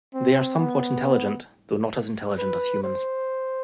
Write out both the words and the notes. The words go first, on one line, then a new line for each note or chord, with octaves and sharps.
They are somewhat intelligent, though not as intelligent as humans.
C4
B3
B4
C5